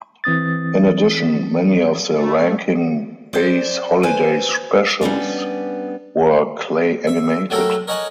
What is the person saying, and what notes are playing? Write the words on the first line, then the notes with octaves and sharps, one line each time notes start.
In addition, many of the Rankin-Bass holiday specials were clay-animated.
E3 C4 D#6 A6
A3
C5 D5
B4 C5 G#5
G3 B3 C#4 D4
E5
F#3 A3 G4 A4 A#4
A#4 C#5 D#5 F#5 G#5 A5